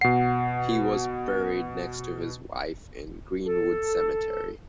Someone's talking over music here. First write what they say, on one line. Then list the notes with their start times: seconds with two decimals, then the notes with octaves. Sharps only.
He was buried next to his wife in Greenwood Cemetery.
0.01 B2 F#5 C7
3.45 A4